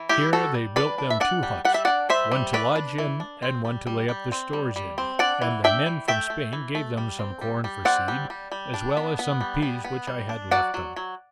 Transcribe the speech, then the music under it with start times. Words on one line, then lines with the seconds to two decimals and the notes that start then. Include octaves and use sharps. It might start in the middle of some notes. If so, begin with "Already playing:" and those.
Here they built them two huts, one to lodge in, and one to lay up their stores in; and the men from Spain gave them some corn for seed, as well as some peas which I had left them.
Already playing: E3
0.09 G3 E4 G4
0.33 G3 F#4 A4
0.55 G3
0.76 D4 B4 D5
0.98 D4
1.10 E5
1.20 D4 D5 F#5
1.43 G3
1.65 G3 F#5
1.74 E5
1.85 D4 D5 F#5
2.09 G3 C5 E5
2.32 G3
2.53 A3 B4 D5
2.76 D4
2.98 E3
3.20 D4
3.42 C4
3.65 G3
3.87 G3
4.09 G3
4.32 C4
4.53 G3
4.76 G3
4.98 C4
5.19 D4 D5 F#5
5.42 E3
5.64 D4 E5 G5
5.86 E3
6.08 A3 E5 G5
6.30 A3
6.53 E3
6.75 A3
6.98 G3
7.19 C4
7.41 G3
7.64 G3
7.85 C4 D5 F#5
8.08 G3
8.30 G3
8.52 G3
8.74 D4
8.97 B3
9.19 B3
9.41 G3
9.62 B3
9.84 B3
10.07 G3
10.29 D4
10.51 F#3 D5 F#5
10.74 F#3
10.96 F#3